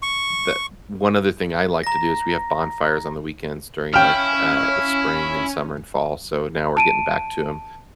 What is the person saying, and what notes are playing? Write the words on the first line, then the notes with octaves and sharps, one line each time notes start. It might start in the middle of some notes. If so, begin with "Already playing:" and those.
the one other thing I like to do is we have bonfires on the weekends during, like, uh, the spring, and summer, and fall, so now we're getting back to 'em.
C#6
A#5 A#6
C#4 E4 F5 G5 F6
A5 D7 D#7